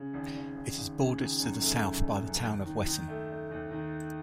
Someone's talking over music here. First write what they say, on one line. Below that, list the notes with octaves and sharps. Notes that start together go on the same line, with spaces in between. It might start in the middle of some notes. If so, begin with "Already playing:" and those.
It is bordered to the south by the town of Wesson.
Already playing: C#3
G#1
G#1
G#1
G#1
C#3
D#3
F#2
A3
F#2
F#2
F#2
D#2
D#3
D#3
A3
A3
D#2
D#3